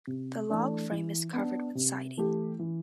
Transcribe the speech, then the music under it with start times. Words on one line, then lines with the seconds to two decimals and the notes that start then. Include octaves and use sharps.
The log frame is covered with siding.
0.07 C3
0.49 E3 A3 D4
0.92 E3
1.33 B3 D4
1.75 C3
2.17 E3 A3 E4 G4
2.59 E3